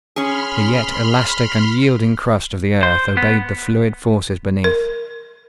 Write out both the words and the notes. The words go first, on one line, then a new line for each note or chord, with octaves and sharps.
The yet elastic and yielding crust of the earth obeyed the fluid forces beneath.
C#4 G#4 B5 C6 F6
C5
B3
A#4